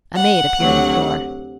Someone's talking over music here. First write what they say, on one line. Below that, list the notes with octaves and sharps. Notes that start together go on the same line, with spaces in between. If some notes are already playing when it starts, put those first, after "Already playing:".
A maid appeared at the door.
F#5
D2 C3 F#3